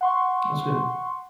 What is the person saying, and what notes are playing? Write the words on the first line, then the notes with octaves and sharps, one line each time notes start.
That's good.
F#5 C6 C#6